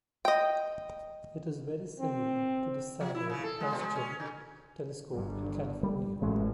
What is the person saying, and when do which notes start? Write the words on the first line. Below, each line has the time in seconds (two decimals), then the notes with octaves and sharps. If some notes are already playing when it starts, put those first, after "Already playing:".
It is very similar to the Samuel Oschin telescope in California.
0.25 D#5 G5
2.00 C4
3.01 F3
3.15 E4
3.30 C#3
3.43 A4
3.61 G#3
3.73 B2
3.84 G#3
3.96 C#4
4.20 D3
5.11 G1 G2
5.83 G3
6.22 A1 F#2 G#3 A3